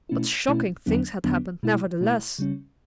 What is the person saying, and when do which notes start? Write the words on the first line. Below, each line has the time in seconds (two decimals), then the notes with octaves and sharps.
But shocking things had happened, nevertheless!
0.09 B2 A3 C#4 E4
0.48 B2 A3 C#4 E4
0.86 E2 D3 F#3 B3 D4
1.24 E2 D3 F#3 B3 D4
1.63 B2 A3 E4
2.01 B2 A3 E4
2.39 C#3 G3 C#4